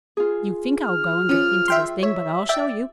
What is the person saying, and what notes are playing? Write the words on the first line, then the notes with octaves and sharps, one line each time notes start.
You think I'll go and get into this thing, but I'll show you.
F4 G#4
F6
F3 C#4
E5 G5 C6
C#5 E5
D5 E5 G5